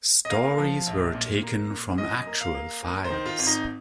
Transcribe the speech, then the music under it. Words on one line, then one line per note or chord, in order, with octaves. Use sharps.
Stories were taken from actual files.
D#5
A#3 F5
F3
A#1
A#2
A#3
A#2
F#2 D#5
A#3
F5
A#3
A#3
C5
D#3
F4
G#1
D#4